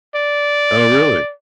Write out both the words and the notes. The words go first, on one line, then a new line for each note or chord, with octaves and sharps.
Oh, really?
D5